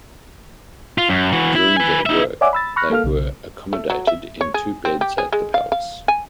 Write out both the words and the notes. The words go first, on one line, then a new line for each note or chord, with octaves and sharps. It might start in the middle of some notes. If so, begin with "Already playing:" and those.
During their work they were accommodated in two beds at the palace.
F4
F#2
E3 F#4
E4
B4 G#5
D#4 E5
C#5 D5 E5 F#5 G#5 D6
B5 E6 A6
B5 C#6 F6 F#6 A#6
A#3 A4 F5 F6
B1 C#3
A3
F#3
E5
C#5
G#4
C4
G4
G#4
G#3
F5
F5
G#5